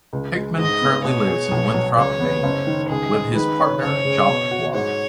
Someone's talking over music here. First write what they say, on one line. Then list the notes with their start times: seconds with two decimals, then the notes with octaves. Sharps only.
Hickman currently lives in Winthrop, Maine, with his partner, Jop Blom.
0.13 C#2
0.35 G#3
0.58 G#2 D#5
0.81 B3
1.04 B2 C#5
1.28 G#4
1.51 B1
1.74 F#3
1.97 C#2 C#5
2.20 B3
2.43 F#1
2.67 D#3
2.89 C#2 G#4
3.13 G#3
3.36 D#3 B4
3.59 C#4
3.82 F#1 C#5
4.05 C#3
4.28 B2
4.51 F#4
4.74 G#2 C#5